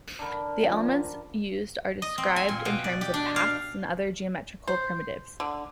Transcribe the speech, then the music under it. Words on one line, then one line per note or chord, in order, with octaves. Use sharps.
The elements used are described in terms of paths and other geometrical primitives.
D3 A#4 B5
F3 C#4
D#5
C4
G#5
A#2
B2
D5
G4
D4
F5
C5
D3